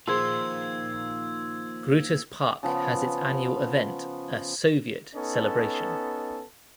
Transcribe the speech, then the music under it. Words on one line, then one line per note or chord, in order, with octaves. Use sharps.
Grutas Park has its annual event - a "Soviet" celebration.
D#3 F3 A#3 F4 G#4 C6 E6 G#6
C#3 F3 B3
B3 C#4 D#4 A4